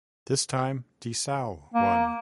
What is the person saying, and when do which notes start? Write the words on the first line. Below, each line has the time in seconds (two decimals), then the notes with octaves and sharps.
This time DiSalle won.
1.75 A#3